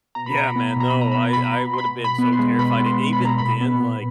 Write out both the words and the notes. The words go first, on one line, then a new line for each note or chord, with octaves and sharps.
Yeah, man, no, I I would have been so terrified, and even then, like,
B2 A#5
B5
B2 A#5
B5
B3 A#5
B5
B2 A#5
B5
B3 A#5
B5
B3
A#5
B2 B5
A#5
B2
C6
B2 B5
B2
B5
B3
C6
G#3
B2 B5
B3
C6
B3
B5
B2 A#5
A#2 B5
B3
B3